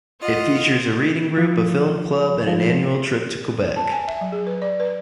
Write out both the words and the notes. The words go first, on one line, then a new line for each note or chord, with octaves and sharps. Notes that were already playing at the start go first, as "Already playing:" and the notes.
It features a reading group, a film club, and an annual trip to Quebec.
F4 D#5 F#5
F3
F3
A5
G#5
E5
F#3
G#4
B4
D5
B4